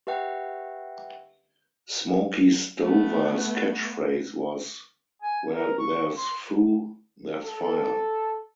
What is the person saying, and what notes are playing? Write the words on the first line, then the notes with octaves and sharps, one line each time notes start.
Smokey Stover's catch-phrase was "where there's foo, there's fire".
G4 B4 E5 F#5 G5
A3 B3
G#5
A#4
C#6
C6
A4